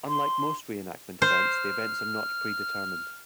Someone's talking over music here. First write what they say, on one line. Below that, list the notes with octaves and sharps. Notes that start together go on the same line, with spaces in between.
Unlike most reenactment events, the events are not pre-determined.
C6
C5 F6